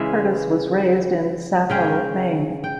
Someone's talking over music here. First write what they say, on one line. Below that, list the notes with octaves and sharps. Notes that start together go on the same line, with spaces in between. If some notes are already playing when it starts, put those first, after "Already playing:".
Curtis was raised in Saco, Maine.
Already playing: C#3 E3 G#3 E5
C#3 G#3 C#4 G5
G5